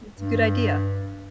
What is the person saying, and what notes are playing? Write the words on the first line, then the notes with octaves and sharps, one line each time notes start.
It's a good idea.
G2